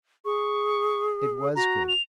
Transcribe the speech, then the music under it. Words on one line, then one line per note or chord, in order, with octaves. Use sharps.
It was good.
G#4 C#6
F#4 A#5
F7